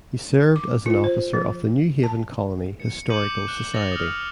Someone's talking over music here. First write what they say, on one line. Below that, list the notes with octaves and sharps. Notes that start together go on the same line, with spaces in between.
He served as an officer of the New Haven Colony Historical Society.
D6
F4
C5
F3
A5
C#7
D6 G6 C#7 D#7 F#7
F#6 E7
A6 A#6 C#7 F7
D#6 F6